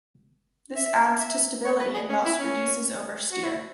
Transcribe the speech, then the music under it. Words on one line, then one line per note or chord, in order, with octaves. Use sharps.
This adds to stability and thus, reduces oversteer.
E5
E5
C#5
B4
G#4
C#4
E4
C#4
F#4
E4